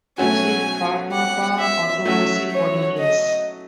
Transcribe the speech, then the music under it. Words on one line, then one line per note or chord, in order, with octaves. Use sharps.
See Karmapa controversy for details.
B2 F#3 A3 C#4 F#4 G#5
F#5
E5
F#3 A3 C#4 F#4 E5
C#5
D#5